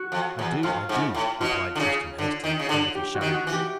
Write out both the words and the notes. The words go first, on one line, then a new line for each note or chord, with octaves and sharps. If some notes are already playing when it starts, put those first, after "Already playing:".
"I do--I do," replied Tristram hastily, and with a shudder.
Already playing: F#4
F2
E2
F2 F4
G#2
A2
B2 F4
D3
C#3
D3
D#3
C#3
D3
G4
F#4
D#3
F#4
E3
G4